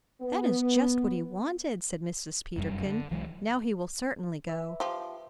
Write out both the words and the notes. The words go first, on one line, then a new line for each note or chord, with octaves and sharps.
"That is just what he wanted," said Mrs. Peterkin; "now he will certainly go!"
B3
F1 F#2 G3
D3
C2 E3 F#3 G#3
B4 E5
F3 G4